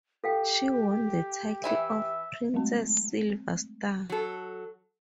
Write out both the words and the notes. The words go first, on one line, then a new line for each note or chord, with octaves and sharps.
She won the title of "Princess Silver Star".
G4 A4 F5 G5
E3 E4 E5 G#5
F#3 G#3 A3 C4
F#3 A4